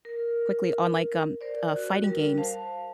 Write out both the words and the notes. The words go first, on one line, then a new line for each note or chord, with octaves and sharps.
quickly on like, um, uh, fighting games.
A#4
A#4 C5 D5
F#4
G3 A#4
C5 F5 A5